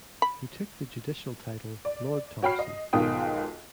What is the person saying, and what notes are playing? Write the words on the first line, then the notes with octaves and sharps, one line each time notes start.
He took the judicial title Lord Thomson.
B5
D5
F#4 C#5 G5 B5 F6 C7
D#5
B1 G#2 D#3 F4 G5 D#6